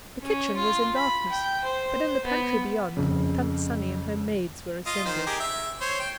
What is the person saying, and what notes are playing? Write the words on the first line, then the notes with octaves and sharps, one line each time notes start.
The kitchen was in darkness, but in the pantry beyond Tant Sannie and her maids were assembled.
C#4
F4
B5
G5
C5
B3
F2 C#3
F4 D#5
D#3 C5
G4 G#4 A#4
E5
C5 C#5
G5